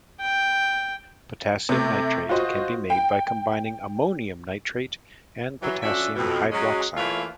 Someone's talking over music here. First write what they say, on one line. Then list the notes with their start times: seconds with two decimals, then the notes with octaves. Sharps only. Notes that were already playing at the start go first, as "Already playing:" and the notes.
Potassium nitrate can be made by combining ammonium nitrate and potassium hydroxide.
0.21 G5
1.69 C3 A3
2.29 F4 F#4 C5 D#5
2.90 G5
5.62 E3 F#3
5.83 F3 C#4 D4 F#4 A4 E5
6.16 F2 B2
6.52 F#3 G#3 C#4
6.97 E3 A3 A#3 F4 B4 C#5